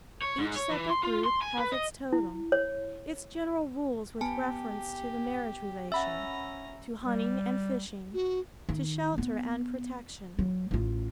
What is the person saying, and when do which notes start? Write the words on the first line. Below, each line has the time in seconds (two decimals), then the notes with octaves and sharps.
Each separate group has its totem, its general rules with reference to the marriage relation, to hunting and fishing, to shelter and protection.
0.22 C#5
0.38 G#2
0.56 C#5
0.70 E3
0.90 C6
1.03 F4
1.24 C6
1.41 G#5
1.58 B4
1.72 D#5
2.13 E4
2.52 C#5
4.21 B3 G4 G#5 A5
5.92 C#4 E5 F#5 A#5 B5 E6
7.05 G3
8.14 F#4
8.69 D#3
9.18 B3
10.39 F#3
10.71 A1 F4